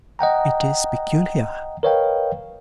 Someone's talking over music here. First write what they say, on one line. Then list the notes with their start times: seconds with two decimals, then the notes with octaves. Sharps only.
It is peculiar.'
0.19 D#5 F#5 G5 A#5
1.83 A#4 B4 C#5 D#5 F5 G5